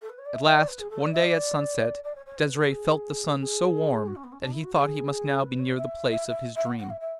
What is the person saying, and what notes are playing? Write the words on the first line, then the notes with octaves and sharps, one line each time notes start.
At last one day at sunset Desire felt the sun so warm, that he thought he must now be near the place of his dream.
A4
B4
C#5
D5
E5
E5
D5
B4
G#4
A4
D5
E5
D5
D5
C#5
C#5
B4
A4
G#4
G#4
F#4
C#4
B3
C#4
D4
E4
F#4
G#4
B4
C#5
E5
E5
E5
E5
F#5
F#5
E5
E5